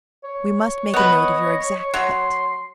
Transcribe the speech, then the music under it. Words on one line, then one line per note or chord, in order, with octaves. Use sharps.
"We must make a note of your exact height."
C#5
B3 B4 D#5
F#3 C6